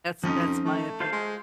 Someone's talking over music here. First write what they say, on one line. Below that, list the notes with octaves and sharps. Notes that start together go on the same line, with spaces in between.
that's that's my opin
F2 F3 C#4 D#4
A3
F4 C5 F5
G#3